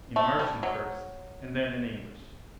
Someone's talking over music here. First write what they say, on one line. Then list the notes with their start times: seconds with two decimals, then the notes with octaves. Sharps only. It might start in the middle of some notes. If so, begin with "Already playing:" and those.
In Martian first, and then in English.
0.16 A3
0.39 G3
0.63 F#3